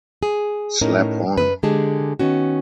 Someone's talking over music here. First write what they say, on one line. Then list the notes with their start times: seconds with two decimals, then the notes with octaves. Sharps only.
Slap on!
0.23 G#4
0.81 A2 C#4 D#4 A#4
1.37 F#2 B4
1.63 D3 G#3 G4 G#4 A5
2.19 D#3 B3 C#4 F#4